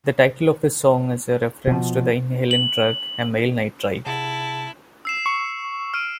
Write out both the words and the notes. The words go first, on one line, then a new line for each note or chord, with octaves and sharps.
The title of the song is a reference to the inhalant drug amyl nitrite.
B2 F3
F#7
C3 E4 G#4 F#5 A5
E6 C7 E7
C#6
F6 D7 D#7